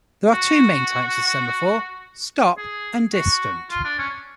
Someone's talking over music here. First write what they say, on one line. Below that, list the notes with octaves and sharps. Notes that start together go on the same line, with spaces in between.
There are two main types of semaphore; stop and distant.
F#4
G#4
F#4
F4
D4
C#4